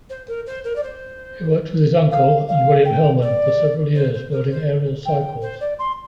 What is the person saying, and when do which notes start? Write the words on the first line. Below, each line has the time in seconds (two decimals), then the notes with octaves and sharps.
He worked with his uncle and William Hillman for several years building Ariel cycles.
0.10 C5
0.28 A#4
0.46 C5
0.64 A#4
0.76 D5
0.83 C5
2.11 F5
2.49 F5
2.85 G5
3.22 D5
3.95 C5
4.14 C5
4.32 A#4
4.50 C5
5.06 G5
5.42 C5
5.61 D5
5.79 C6